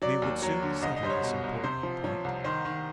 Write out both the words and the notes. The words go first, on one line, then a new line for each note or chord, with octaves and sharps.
We would soon settle this important point.
F#3 D5
D#2
F#3 C#5
D3
C2 D#5
D#5
G3 C5
C#5
B2
C2
C3 C5
F3
F3 C#5
C2
D#3 C5
D#3